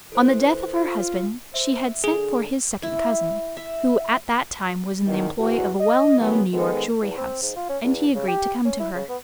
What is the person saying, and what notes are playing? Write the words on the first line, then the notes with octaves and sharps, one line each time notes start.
On the death of her husband, she had sent for his second cousin, who at that time was in the employ of a well-known New York jewelry house, and he agreed to come to her.
E3 A4 C5
F4
C5 E5
D3 G#4
E4
E5
E2 D#3
E2 F#4
D#5
D#3 F#3 G#3 B3
D#3 G#3 B3 A4 C5 D#5
E2
C4
G#2
F4
C#4
E2
C#3
G4
C#4
E4
C#3
B3